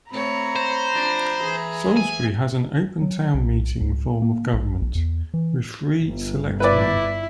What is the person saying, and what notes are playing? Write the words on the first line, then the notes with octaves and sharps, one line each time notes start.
Salisbury has an Open Town Meeting form of government, with three Selectmen.
A3 C4 C#5 A#5 B5
C5
F3 D4
E3 G#4
G#5
F#3
B1
C#2
A#3
A#1
A#1
E2
E3
G1
E4 B4 D5